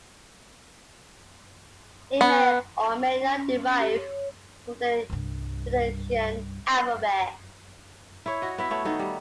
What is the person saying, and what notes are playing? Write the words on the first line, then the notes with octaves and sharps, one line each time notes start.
It may or may not derive from the Phoenician alphabet.
B3
C#4
G4
C#5
C2 G2
E4 C#5
F#4 D#5
B3 E4 E5
A3 B3 C#5
D#3 B3 D#4 A4
G3